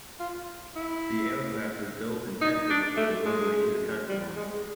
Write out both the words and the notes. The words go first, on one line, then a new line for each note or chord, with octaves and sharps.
The aircraft was built and tested before delivery to the customer.
F4
E4
D#4
D4
A3
G#3
G3
G#3